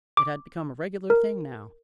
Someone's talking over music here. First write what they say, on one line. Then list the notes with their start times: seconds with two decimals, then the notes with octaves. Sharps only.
It had become a regular thing now.
0.17 D6
1.10 A#4